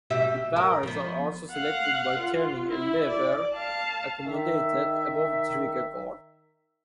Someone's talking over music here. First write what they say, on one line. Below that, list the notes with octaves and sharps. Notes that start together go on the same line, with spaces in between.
The barrels are selected by turning a lever accommodated above the trigger guard.
B2 G4 E5
A#4
F3 B3
F5 F#5
F4
E4
D5
F5 A5
D#3 E5